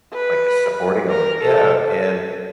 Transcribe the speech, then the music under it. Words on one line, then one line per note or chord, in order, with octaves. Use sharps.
like, just supporting him and yeah. And
B4
A#4
A4